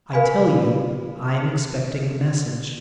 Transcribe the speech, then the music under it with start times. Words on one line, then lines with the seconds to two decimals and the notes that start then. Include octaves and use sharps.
I tell you, I am expecting a message.
0.13 A#4 B4 F5 G#5 B5